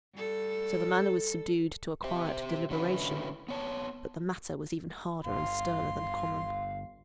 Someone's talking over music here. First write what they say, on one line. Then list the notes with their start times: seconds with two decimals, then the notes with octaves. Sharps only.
So the manner was subdued to a quiet deliberation, but the matter was even harder and sterner than common.
0.15 G3 A4
2.04 G4 C5 E5
2.70 D3 C#4 E4 F#4 B4
3.48 B3 C#5 A5
5.24 G1 F5 C6